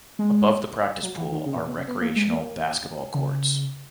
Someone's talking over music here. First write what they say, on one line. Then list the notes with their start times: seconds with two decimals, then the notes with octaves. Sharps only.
Above the Practice Pool are recreational basketball courts.
0.19 G#3
1.03 F#3
1.17 E3
1.32 D#3
1.46 C#3
1.55 A#2
1.67 B2
1.77 C#3
1.88 B3
2.01 A#3
2.16 G#3
2.30 A#3
3.14 C#3